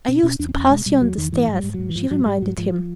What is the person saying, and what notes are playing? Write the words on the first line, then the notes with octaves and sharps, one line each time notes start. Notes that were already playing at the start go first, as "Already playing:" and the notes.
"I used to pass you on the stairs," she reminded him.
B2 C#4
B2 C#4
E2 D4
C4
E2 C#4
B2 G#3
B2 G3
E2 F#3
E2 D#3
G#2 E3
G#2
G3
G#2
G#2 F#3
E3
G#2 F3
G#2 F#3
G#2 G3
G#2 F#3
G#2 F3